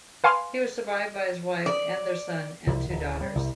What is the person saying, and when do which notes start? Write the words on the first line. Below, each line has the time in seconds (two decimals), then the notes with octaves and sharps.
He was survived by his wife, and their son and two daughters.
0.24 B4 F5 G#5 C6 D6 F6
1.66 D5
2.67 C2
2.90 D1
3.21 G3
3.35 C2